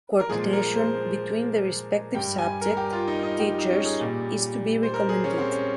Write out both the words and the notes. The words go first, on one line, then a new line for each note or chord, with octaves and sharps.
Coordination between the respective subject teachers is to be recommended.
A#4
A#2 F3 G#3 G#4
A#4
C5
G2 G3 G5
G#5
A#4
G4
F4
D#4
D#4
G4
D#4
C#4
G#4
A#2 G3
C5
A#4
G#4
C#4
C4
C#4